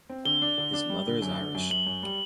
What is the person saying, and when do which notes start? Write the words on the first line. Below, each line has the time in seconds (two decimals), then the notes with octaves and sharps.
His mother is Irish.
0.09 C4
0.25 D3 G7
0.42 D4
0.58 D3
0.73 D4
0.89 G3
1.06 D3
1.22 F#2
1.38 D3
1.55 F#2
1.71 F#2 F#7
1.87 F#2
2.03 G3